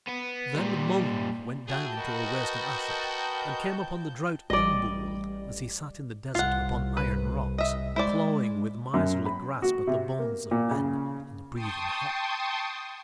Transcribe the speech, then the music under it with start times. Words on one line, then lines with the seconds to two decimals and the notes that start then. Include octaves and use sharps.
Then Mung went down into a waste of Afrik, and came upon the drought Umbool as he sat in the desert upon iron rocks, clawing with miserly grasp at the bones of men and breathing hot.
0.09 B3
0.55 A#2 G3
1.67 E4 F#4 G#4 G5 A5 G6
1.97 F#4 A#4 B4 D#5
3.80 F3
4.50 A1 G3 D5 D#5
6.35 C2 F4 F#5
6.97 B4
7.58 D#5 E5
7.96 G#3 E4 C5 D5
8.94 F#2
9.25 B5
9.62 F#4
9.87 C3
10.19 A#3
10.51 A#2
10.71 C#3
11.53 G5 A5 C6 C#6 D#6